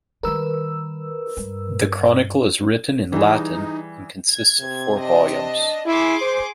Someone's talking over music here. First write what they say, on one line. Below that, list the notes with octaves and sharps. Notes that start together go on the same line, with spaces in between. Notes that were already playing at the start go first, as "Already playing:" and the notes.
The chronicle is written in Latin and consists of four volumes.
D#3 G3 A#4 B4 E6
G2
E3 G3 D#4 G#4
G#6
C3
D4 D#5
E4 G#4 C6 D6
C5